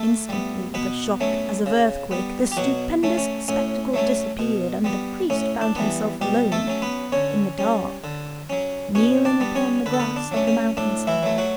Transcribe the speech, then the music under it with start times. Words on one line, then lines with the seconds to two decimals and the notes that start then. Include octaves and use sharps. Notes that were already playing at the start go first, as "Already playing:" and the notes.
Instantly with a shock as of earthquake the stupendous spectacle disappeared; and the priest found himself alone in the dark, kneeling upon the grass of the mountain-side.
Already playing: A3 A4
0.29 G3 B3
0.74 B2 B3 B4
1.20 F#3 A3 C#4
1.66 C#3
2.11 G3 B3
2.52 G4
2.57 B2 F#3 F#4
3.03 A3 C#4
3.18 C#4
3.48 A2 C#4
3.94 F#3 A3 C#4
4.39 B2
4.84 G3 B3
5.30 A2 C#4
5.61 D4
5.76 E3 G3 B3
6.21 B2 G3 G4
6.52 A3 A4
6.67 F#3 C#4
6.82 B3 B4
7.12 D3 C#4 C#5
7.59 G3 C#4
8.04 D3
8.50 F#3 C#4
8.95 B2 C#4 C#5
9.25 D4 D5
9.40 G3 B3
9.55 C#4 C#5
9.86 D3 B4
9.93 A4
10.00 B3 B4
10.16 D4
10.32 F#3 A3 C#4
10.47 C#4
10.77 A2 D4
11.07 E3 E4
11.23 F#3 A3
11.38 F#3 F#4